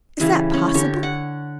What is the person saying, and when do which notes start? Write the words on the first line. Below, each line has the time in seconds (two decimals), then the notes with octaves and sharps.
Is that possible?
0.20 C#3 E3 G3
0.54 C#4
0.74 D3 G4 C#5
1.03 F#5